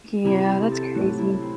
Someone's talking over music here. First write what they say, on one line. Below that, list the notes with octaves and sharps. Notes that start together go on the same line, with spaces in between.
Yeah, that's crazy.
C3 E4
C4
A4
A2 F#3
E4
C4